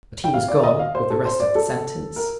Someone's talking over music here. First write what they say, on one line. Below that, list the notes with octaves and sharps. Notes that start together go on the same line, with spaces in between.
But he was gone with the rest of the sentence.
G5
F5
D5
D#5
F5
C5
A4
C5
D5
A4
A#4